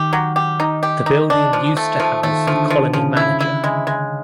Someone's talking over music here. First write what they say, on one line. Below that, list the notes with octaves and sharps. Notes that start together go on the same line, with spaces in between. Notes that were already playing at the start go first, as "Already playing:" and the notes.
The building used to house the colony manager.
Already playing: D#3 G4
F#3
G4
D#4
G4
D#4
D4
F3
A3
F3
D#3 A3
D3 F3
F3
C#3 F3
E4
E4
G#3
G#3